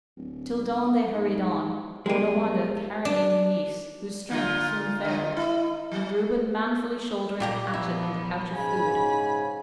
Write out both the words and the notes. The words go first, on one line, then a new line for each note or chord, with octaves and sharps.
Till dawn they hurried on, Onawandah carrying Eunice, whose strength soon failed, and Reuben manfully shouldering the hatchet and the pouch of food.
D1
G#2
B1 G#3 A#3 G4 D5 D#7
D4
A#2 D3 F4
D3 D#5
E4
F#3
A#2 A#3 G4 A#5
F3 B3 E4
G#2 C#3 G#5 B5